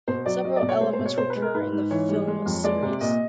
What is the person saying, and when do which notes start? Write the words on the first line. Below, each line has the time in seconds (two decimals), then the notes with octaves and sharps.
Several elements recur in the films series.
0.08 B2 C5
0.26 F#3 D5
0.44 F#3 D#5
0.56 D5
0.62 B2
0.69 C#5
0.81 G#3 C5
0.93 C5
0.99 B2
1.06 C#5
1.18 B2 C5
1.30 B4
1.36 G#3
1.42 A#4
1.54 G#2 B4
1.73 G#2
1.91 E3 C#5
2.09 G3
2.28 G#3
2.46 F2
2.64 G#3 D5
2.82 C3
3.01 A#2 D#5